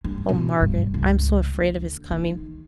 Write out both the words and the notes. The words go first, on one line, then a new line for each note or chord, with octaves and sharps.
'Oh, Margaret, I'm so afraid of his coming!
G2
B2
G2
C#2
D2
D#3